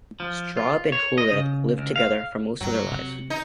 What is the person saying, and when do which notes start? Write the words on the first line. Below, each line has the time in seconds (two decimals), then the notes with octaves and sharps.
Straub and Huillet lived together for most of their lives.
0.20 F3
0.57 F4
0.92 C#5
1.18 D#5
1.32 C#3
1.78 C#2
1.96 F5
2.61 G2 F#3
2.92 C3
3.30 D#4